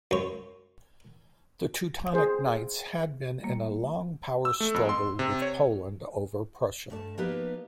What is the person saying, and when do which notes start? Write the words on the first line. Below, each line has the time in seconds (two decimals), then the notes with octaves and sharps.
The Teutonic Knights had been in a long power struggle with Poland over Prussia.
0.11 F#2 C#5
2.14 G#4 C5
3.43 G3 A#3
4.45 E6
4.60 A3
4.74 F2
4.89 C6
5.19 C3
5.42 C#5
6.90 G2 A3 A5
7.18 F3 A#3 B3 D#4 G4 B4